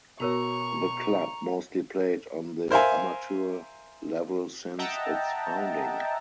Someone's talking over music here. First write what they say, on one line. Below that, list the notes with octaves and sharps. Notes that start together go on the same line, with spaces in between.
The club mostly played on the amateur level since its founding.
B2 F#4 A#4 C#5 A#5 C#6
A#4 C5 E5 F5 G#5
D#5 E5 F#5 G5 A5 A#5